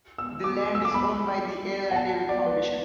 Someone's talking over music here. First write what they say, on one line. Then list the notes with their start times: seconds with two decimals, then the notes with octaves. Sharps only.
The land is owned by the Ir David Foundation.
0.18 E6
0.44 D6
0.75 E6
0.85 D6
0.94 B5
1.91 F#5
1.96 A5
2.29 D5
2.46 B4